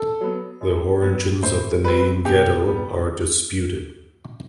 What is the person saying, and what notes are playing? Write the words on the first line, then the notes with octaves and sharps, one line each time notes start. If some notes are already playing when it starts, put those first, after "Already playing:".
The origins of the name "ghetto" are disputed.
Already playing: A4
F#3 B3
F#2
F#3 B3
A2 C5
G3 C4 B4
B2 G4
G3 B3